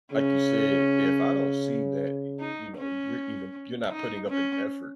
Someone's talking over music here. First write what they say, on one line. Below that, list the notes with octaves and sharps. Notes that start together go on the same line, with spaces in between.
like you said, if I don't see that, you know, you're even you're not putting up an effort
C#3 C#4
D#4
C#4
D#4
C#4